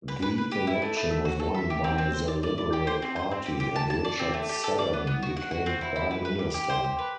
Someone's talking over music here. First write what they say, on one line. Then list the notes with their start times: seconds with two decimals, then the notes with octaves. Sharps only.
The election was won by the Liberal Party, and Richard Seddon became Prime Minister.
0.08 B4
0.22 B4
0.38 B4
0.51 G4
0.67 E4
0.82 A3
0.96 A3
1.10 E5
1.25 F#4
1.40 A4
1.54 E5
1.70 G4
1.84 C4
1.98 C4
2.13 C5
2.28 D5
2.43 D5
2.58 D5
2.73 G4
2.87 C5
3.02 C4
3.16 C5
3.31 C4
3.46 G4
3.60 G4
3.76 A5
3.90 A5
4.05 D5
4.19 C4
4.34 A3
4.49 G4
4.64 A4
4.79 D5
4.93 B3
5.07 B3
5.23 F#4
5.37 F#5
5.51 F#4
5.66 C4
5.81 E4
5.96 E4
6.11 B4
6.25 B4
6.39 G4
6.54 G4
6.69 C5
6.84 G4
6.99 B4